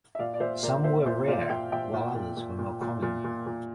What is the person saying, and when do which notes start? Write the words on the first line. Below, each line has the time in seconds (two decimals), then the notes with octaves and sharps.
Some were rare, while others were more common.
0.15 E5
0.19 A#2 D5 F5
0.34 D5
0.40 A#2 C5 E5
0.63 A#2 A#4 D5
0.84 A#2 C5 E5
1.06 A#2 C5 E5
1.28 A#2 D5 F5
1.50 A#2 E5 G5
1.72 A#2 E5 G5
1.93 A#2
2.15 A#2
2.37 A#2
2.58 A#2
2.81 A#2
3.02 A#2
3.24 A#2
3.46 A#2